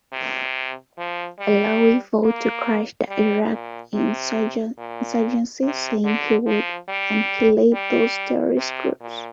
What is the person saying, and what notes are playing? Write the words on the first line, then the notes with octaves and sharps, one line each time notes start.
Allawi vowed to crush the Iraqi insurgency, saying he would "annihilate those terrorist groups".
C3
F3
G3
A#3
G3
A#2
C3
A#2
C3
D3
F3
G3
G3
C3
A#2